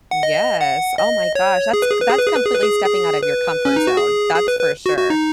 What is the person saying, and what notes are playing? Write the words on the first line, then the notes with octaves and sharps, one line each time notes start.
Yes. Oh my gosh. That's that's completely stepping out of your comfort zone. That's for sure.
F#5
D#5
F#5
D#5
C#5
G#4
B4
G#4
B4
G#4
B4
G#4
B4
G#4
B4
G#4
G#4
B4
C#4
D#4
F#4
G#4
G#4
B4
B4
F#4
F#4
D#4